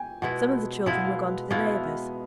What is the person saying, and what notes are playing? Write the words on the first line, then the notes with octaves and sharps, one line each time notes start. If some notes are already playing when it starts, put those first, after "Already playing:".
Some of the children were gone to the neighbours.
Already playing: G5 G#5
B2 G#3 B3 E4 F#5
B2 G#3 B3 E4 F5
F#5
F5
B2 G#3 B3 E4 F5
D#5
E5
F5